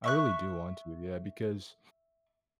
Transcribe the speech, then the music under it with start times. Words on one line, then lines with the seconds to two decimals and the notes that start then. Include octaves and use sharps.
I really do want to, yeah, because,
0.04 E5 C#6 F#6